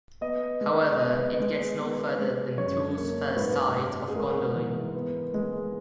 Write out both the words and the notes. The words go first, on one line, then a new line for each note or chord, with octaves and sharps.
However, it gets no further than Tuor's first sight of Gondolin.
B3 D#5
G#3
E5
B3 D#5
G#3
B3
G#3
F#2 C#5
A#3
G#2 B4
G#3
G#4
G#3 A#4
E3
B3
G#3